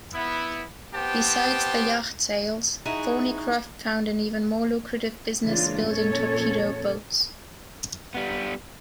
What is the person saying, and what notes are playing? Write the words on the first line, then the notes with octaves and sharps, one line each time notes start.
Besides the yacht sales, Thornycroft found an even more lucrative business building torpedo boats.
B3 E4
B3 C4 G4 C5 G5 A5
D#4 E4 F#4 G#4
C#3 E3 G#3 A#3 D4 F4
F2 A#2 C#4 A4 C#5
G3 B3